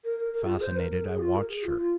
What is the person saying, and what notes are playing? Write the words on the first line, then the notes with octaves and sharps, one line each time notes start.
Fascinated, I watched her.
A#4
A#4
A#4
F4
G#4
C5
A#4
A#4
G#4
F4
A#4
G#4
F4
F4